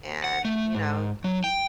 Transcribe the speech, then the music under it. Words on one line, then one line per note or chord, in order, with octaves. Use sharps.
and, you know, y
F#5
A3
G#2
F#3
G5